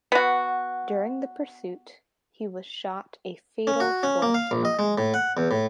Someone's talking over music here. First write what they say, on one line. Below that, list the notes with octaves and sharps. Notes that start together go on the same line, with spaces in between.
During the pursuit, he was shot a fatal fourth time.
B3 F#4
C#4
F#4
C#4
A#3
F5
A#1
D#5
G#3
A2
F#5
E2
A2